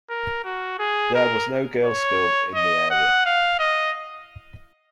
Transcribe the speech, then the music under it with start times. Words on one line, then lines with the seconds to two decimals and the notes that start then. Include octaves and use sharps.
There was no girls' school in the area.
0.09 A#4
0.44 F#4
0.79 G#4
1.15 A#4
1.85 C#5
2.55 D#5
2.90 F#5
3.26 F5
3.59 D#5